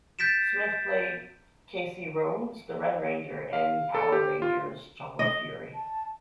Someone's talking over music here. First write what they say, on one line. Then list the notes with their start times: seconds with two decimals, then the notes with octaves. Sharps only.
Smith played Casey Rhodes, the Red Ranger, in "Power Rangers Jungle Fury".
0.19 G6 A6 B6 D7 E7
3.53 F5
3.95 A4
4.12 G4
4.42 F4
5.19 D#5
5.74 A5